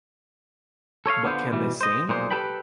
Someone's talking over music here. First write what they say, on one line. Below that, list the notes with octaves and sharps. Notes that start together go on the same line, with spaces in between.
But Can They Sing?
A4 C#5 D#5 F5
D3 B3 F4 C5
B2 E3 G3
C5 D#5
B1 A#2 G#3 C5
G4 A4 B4 G5 B5